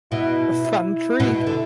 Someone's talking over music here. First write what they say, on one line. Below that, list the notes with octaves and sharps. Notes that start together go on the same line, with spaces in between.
A fun treat.
B2 E4
E4
B2
D3